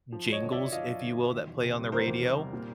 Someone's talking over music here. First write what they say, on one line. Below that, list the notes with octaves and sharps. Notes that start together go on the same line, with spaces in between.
jingles, if you will, that play on the radio,
F3
F#2
C#5 D#5
D3
D5 E5
F#2
F3 D#5 F5
F#2
D3
F#2
D#3
E2
C3
G3
D#3 A#4 C5
E2
C3
G3
A#2